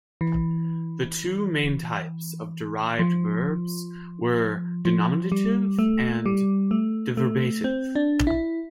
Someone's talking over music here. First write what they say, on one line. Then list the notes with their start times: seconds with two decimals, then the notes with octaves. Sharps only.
The two main types of derived verbs were denominative and deverbative.
0.21 E3
2.99 F3
4.85 F3
5.32 G3
5.79 A3
6.26 G3
6.71 A3
7.17 A3
7.64 C4
7.95 D4
8.27 E4